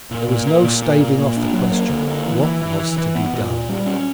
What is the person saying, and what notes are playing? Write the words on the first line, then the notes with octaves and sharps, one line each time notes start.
But there was no staving off the question, What was to be done?
A#2
A#2
A#3
A#2
A#3
A#2
A#3
D4
F#3
A#3
D3
A#3
E3
E3
E3
E3
E3
B3
A#2
A#2
G3
C#4